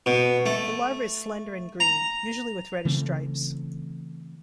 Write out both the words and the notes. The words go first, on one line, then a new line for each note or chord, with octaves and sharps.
The larva is slender and green, usually with reddish stripes.
B2
A3
A#5
C#3 E3 A3 C4